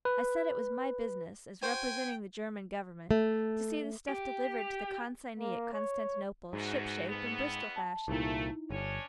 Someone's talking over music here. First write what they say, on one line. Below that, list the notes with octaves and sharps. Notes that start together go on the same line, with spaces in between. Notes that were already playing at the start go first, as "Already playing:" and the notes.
I said it was my business, as representing the German Government, to see the stuff delivered to the consignee at Constantinople ship-shape and Bristol-fashion.
B4
F#4 C5 G5 G#5
A3
G4
A#3
C#5
E2 G#2 F#4
F2 B3
A5
C2 A#2 A3 D#4 E4
G1 C#4 D4 C#5